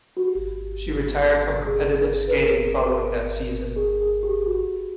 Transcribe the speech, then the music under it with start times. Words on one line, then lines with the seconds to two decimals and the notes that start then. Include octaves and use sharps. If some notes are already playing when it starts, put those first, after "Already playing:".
She retired from competitive skating following that season.
0.17 F#4
0.27 G4
1.67 G#4
2.28 B4
2.37 A#4
3.76 G#4
4.00 G#4
4.23 G4
4.46 F#4